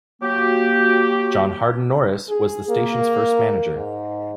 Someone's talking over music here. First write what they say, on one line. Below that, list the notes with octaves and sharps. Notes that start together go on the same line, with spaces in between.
John Harden Norris was the station's first manager.
F#3 A#3 F#4 G4
G#4
A#3
G#2